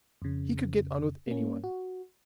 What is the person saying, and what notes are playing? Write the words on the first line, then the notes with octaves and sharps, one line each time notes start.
He could get on with anyone.
F2 C#3
A#3 C#4
F#4